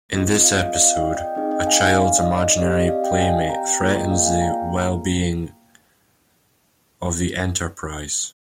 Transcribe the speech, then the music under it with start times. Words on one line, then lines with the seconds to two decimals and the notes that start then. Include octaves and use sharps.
In this episode, a child's imaginary playmate threatens the well-being of the "Enterprise".
0.13 C4 F4 G#4 D#5
0.33 D#5
0.44 F5
0.55 D#5
0.74 D5 F5
0.94 D#5 G5
1.15 D#5 G5
1.35 C4 D#4 G#4 D#5
1.51 D#5 G5
1.66 F5 G#5
1.81 F5 G#5
1.97 D5 F5
2.18 D#5
2.38 D#5
2.58 C4 G4 D5
2.73 D#5
2.88 D5 F5
3.04 D#5 G5
3.19 F5 G#5
3.49 G5 A#5
3.81 A#3 F4 G#4
3.96 D#5 G5
4.11 D5 F5
4.26 F5 G#5
4.41 G5 A#5